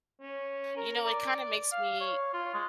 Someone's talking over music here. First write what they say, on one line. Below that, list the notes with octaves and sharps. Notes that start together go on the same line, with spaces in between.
You know, it kinda makes me
C#4
A#4
D5
F5
C#5
F4
G#3